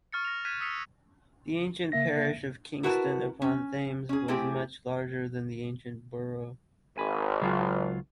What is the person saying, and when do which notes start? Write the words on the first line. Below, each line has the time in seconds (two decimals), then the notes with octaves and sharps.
The ancient parish of Kingston-upon-Thames was much larger than the ancient borough.
0.13 C#6 F6 A6 C#7
0.25 A#6 F7
0.45 F6 F#6 G#6 B6 D#7 E7
0.61 D#6 E6 B6 C#7 F7
1.92 C#3 A#3 E5 A#6
2.83 E4 F#4 A#4 B4 A5
3.42 C#4
4.09 C#4 G#4
4.28 A3 C4 E4 G4 G#4
6.98 G#1 G#5 B5
7.41 C#2 F#3 F4